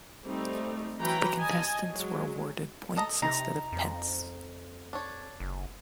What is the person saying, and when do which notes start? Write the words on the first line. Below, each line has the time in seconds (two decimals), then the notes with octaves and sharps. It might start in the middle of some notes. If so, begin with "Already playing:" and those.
The contestants were awarded points instead of pence.
0.25 G3 A3 C4 D#4
0.99 E3 F#3 B4 G5 A#5 B5
1.40 D#5 G#5 A5
1.91 F#3 G#3
2.97 A4 D#5 A#5
3.22 C3 D#4 A#5
3.72 F2
4.93 D4 C#5
5.40 F#1